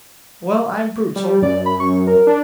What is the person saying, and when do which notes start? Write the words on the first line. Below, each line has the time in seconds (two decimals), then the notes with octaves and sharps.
Well, I'm brutal.
1.16 G3
1.42 F#2 D5
1.66 F#2 B5
1.80 C#6
2.07 A#4
2.27 D4